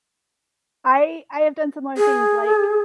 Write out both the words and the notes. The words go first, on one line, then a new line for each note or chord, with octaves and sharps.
I I have done similar things like,
G#4